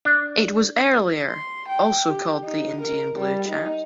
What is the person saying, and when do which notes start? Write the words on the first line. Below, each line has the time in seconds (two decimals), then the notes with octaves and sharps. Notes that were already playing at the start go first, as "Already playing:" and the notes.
It was earlier also called the Indian blue chat.
0.05 D4
1.28 C6
1.69 G5
2.08 G4
2.44 D#4
2.82 A#4
3.18 G3
3.49 D#4